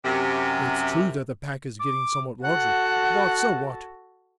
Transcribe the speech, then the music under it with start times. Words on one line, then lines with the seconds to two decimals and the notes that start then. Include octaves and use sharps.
It's true that the pack is getting somewhat larger, but so what?
0.04 F#2 C3
1.80 D6
2.44 F#4 A4 F#5